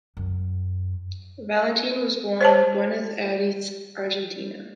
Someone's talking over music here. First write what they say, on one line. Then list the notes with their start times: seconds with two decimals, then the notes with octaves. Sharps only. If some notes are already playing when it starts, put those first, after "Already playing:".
Valentin was born in Buenos Aires, Argentina.
0.17 F#2
2.41 C5 C#5 A5